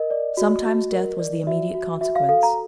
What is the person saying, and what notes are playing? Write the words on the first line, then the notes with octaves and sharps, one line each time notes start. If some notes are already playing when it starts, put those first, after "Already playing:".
Sometimes death was the immediate consequence.
Already playing: A#4 D#5
D5
F#4
F#4
A#4
D5
F#4 E5
F#4
F#4 E5
F5
A4 F5
A#5